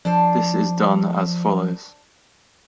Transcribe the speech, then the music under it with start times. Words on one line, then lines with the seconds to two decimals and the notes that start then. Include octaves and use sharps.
This is done as follows.
0.05 F3 D4 A4 C5